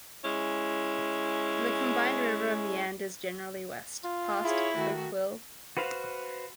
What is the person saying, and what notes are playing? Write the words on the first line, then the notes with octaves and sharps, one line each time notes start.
The combined river meanders generally west, past Coquille.
G#3 C#4 E4
F4
E4 G#4 C#5
D#3 A3 F#4
F#4 B4 C5 F5